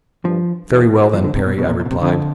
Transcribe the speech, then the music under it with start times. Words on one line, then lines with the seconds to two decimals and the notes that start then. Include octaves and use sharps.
"Very well then, Perry." I replied.
0.25 G2 F3
0.69 E2
1.13 E2 F3
1.24 D3
1.36 C3
1.46 B2
1.58 F2 B2
1.69 A#2
1.80 A#2
1.85 B2
1.91 C3
2.02 F2 D3